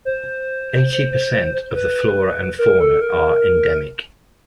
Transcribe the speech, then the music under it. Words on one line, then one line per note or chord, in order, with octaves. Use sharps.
Eighty percent of the flora and fauna are endemic.
C5
B4
A#4
A4
A#4